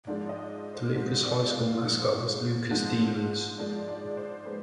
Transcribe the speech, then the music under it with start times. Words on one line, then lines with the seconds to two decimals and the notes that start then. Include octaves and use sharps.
The Lucas High School mascot was Lucas Demons.
0.07 G#2 F3 G#3 D5
0.29 D#5
0.74 C5
0.95 G#2 F3 G#3 C5
1.25 D5
1.53 F5
1.83 G#2 F3 G#3
2.70 G#2 F3 G#3
3.58 G#2 F3 G#3 D5
3.88 D5
4.17 C5
4.46 G#3 B4